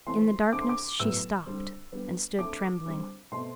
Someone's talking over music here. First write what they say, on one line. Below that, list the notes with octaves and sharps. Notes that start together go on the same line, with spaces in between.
In the darkness she stopped and stood trembling.
E3 A3 C4 C6
D3 A3 C4 D6
C6
D6
A2 F#3 B3 E6
D3 G3 C4
D3 G3 B3
D3 A3 C4 D6
D3 G3 C4
B2 A3 C4 C6